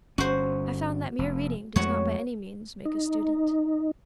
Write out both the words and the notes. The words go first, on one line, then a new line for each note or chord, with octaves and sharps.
I found that mere reading does not by any means make a student.
G1 C#4 F#4 C5
F1
F2 G#3 A3 F#4 C#5
D#4